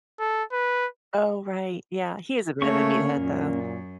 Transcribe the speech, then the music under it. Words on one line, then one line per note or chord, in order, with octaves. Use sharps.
Oh, right yeah, he is a bit of a meathead, though.
A4
B4
A3 A#3 C#4 C#5 C#6
F#2 A#2